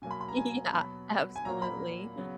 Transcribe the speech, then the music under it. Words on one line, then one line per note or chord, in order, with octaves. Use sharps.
Yeah. Absolutely.
B2 F#3 A#3 G#5
B5
B5
A#5
G#5
B2 F#3 B3 B5
G#5
A#2 F#3 A#3 A#5
B5
C#3 F#3 B3